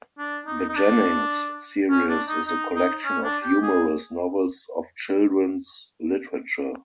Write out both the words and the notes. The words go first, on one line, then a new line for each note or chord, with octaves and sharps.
The "Jennings" series is a collection of humorous novels of children's literature.
D4
D#4
D#4
D4
C#4
D4
D#4
D#4
D#4
C#4
D4
G4
G#4